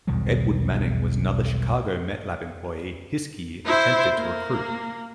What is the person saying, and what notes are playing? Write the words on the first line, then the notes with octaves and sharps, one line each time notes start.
Edward Manning was another Chicago Met Lab employee Hiskey attempted to recruit.
B1 E2 D#3 G3
E4 C5
A#3